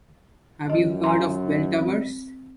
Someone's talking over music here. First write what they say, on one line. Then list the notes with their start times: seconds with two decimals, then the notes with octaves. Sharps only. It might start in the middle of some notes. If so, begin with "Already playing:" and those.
Have you heard of bell towers?
0.70 F#2 D#5
1.04 G#5 A#5 C6
1.79 C4